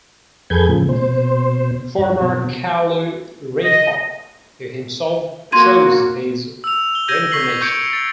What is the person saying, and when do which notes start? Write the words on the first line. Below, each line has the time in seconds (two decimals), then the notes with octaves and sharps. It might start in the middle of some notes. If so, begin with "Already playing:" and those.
Former kalu rinpoche, he himself choose his reincarnation.
0.50 F2 G#4 A4 B4 G6 G#6
0.69 A2 C#3 F3
0.89 B2 C5
1.98 G2
2.22 B2
3.60 D#5
5.52 A#3 F#4 C6 G#6 D#7
6.64 E6 F7
6.95 G7
7.08 E6 G6 G#6 A#6 D#7
7.31 C#6 B6 C7 F#7 G7
7.61 C#6 G6 G#6 C#7 D7
7.93 A6